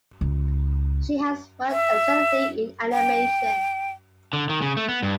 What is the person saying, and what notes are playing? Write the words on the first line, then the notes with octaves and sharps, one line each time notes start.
She has worked extensively in animation.
C#2
E5
G5
D3
D#3
C#3
A3
B3
G2